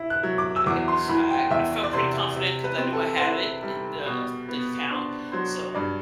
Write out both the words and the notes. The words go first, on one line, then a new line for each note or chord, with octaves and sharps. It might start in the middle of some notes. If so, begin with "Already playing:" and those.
uh, it was, I I I felt pretty confident ‘cause I knew I had it in the, uh, the account, so
Already playing: E4
F#6
F#3
D6
E6
E2 D6
C6
E3 B5
G5
E2 E5
D5
C3 C5
C3
B4
C4
A4
C5
E4 B4
G3
B2
B3
D4 C5
F#3 C5
G2 D5